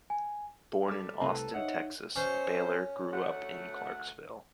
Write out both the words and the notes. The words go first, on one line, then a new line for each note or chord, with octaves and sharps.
Born in Austin, Texas, Baylor grew up in Clarksville.
G#5
G3 A4 D6
C2 A3 C4 A4 B4 A#5
D#4 C#5 D#5 E5 F#5
F#2 B2 C#4 C5
D2 A3 F#5